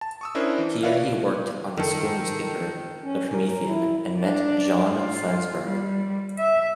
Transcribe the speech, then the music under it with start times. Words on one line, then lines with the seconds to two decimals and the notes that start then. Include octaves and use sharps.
Here, he worked on the school newspaper, the "Promethean", and met John Flansburgh.
0.01 A5
0.21 C#6 D#6 E6
0.35 C#4 D4 E4 A#4 C5
0.58 E3
0.83 B4 C#5 D5 E5 F5
1.77 D#3 A4
3.03 C#4
3.31 A#4
3.65 E4
4.20 D4
4.87 F4
5.64 G3
6.38 E5